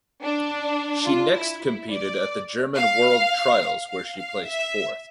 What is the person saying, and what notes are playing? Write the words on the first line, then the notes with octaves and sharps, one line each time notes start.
She next competed at the German World Trials where she placed fourth.
D4
F4
E4
E4
D5
F5
F5
F5
E5